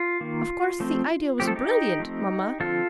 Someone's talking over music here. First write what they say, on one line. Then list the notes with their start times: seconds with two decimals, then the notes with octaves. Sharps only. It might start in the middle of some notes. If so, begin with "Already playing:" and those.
Of course the idea was brilliant, mamma.
Already playing: F4
0.21 D#3 A#3
0.80 F3 A3 C4
1.40 F3 A3 C4 G4
1.47 A4
1.56 D#4 G4
2.00 F3 A3 C4
2.60 D3 F3 C4 F4 A4